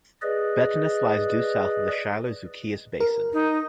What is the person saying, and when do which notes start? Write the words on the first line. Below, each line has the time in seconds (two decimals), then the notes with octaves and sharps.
Bettinus lies due south of the Schiller-Zucchius Basin.
0.22 G#4 B4 D5 D#5
3.00 A#4
3.33 D#4